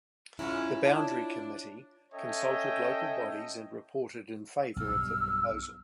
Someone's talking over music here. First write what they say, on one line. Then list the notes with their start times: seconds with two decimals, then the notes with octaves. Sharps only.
The Boundary Committee consulted local bodies and reported in favour of the proposal.
0.39 G#2 C#4 E4 F4
0.85 D4 C#5 A5
2.13 C#4 A4 C#5 D#5 E5 G5
4.76 B1 G2 E6 F6